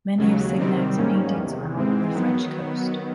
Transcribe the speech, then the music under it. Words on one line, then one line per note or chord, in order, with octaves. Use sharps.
Many of Signac's paintings are of the French coast.
D#2 C#3 F#3
C3 D#3 G3 C4
G#2 D#3 G3 A#3 C#4
E2 C3 D#3
G#2 E3 G#3 C4
D#3 F#3 B3